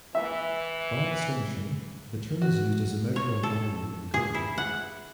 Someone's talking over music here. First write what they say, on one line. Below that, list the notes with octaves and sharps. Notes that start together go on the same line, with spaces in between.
By extension, the term is used as a measure of volume in cooking.
E3 E5
F#4
C#5
A4
G#4
E4
F#5